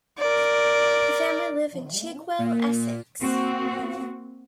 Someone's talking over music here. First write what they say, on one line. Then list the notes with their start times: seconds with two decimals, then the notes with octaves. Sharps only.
The family live in Chigwell, Essex.
0.19 A#4 D5
2.39 A#2
3.21 A#3 C4 F#4